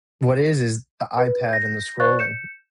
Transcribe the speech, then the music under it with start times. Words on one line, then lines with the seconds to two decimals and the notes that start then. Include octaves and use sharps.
What it is is the iPad and the scrolling.
1.18 B4
1.49 G6 A#6
2.00 C5 D5 F5 C#6 F#6 A6
2.19 G6 C#7 E7